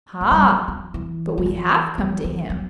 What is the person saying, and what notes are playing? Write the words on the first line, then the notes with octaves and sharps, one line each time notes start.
Ah, but we have come to him.
A3
G3
F#3
F#3
E3
F#3
E3
E3
E3
F#3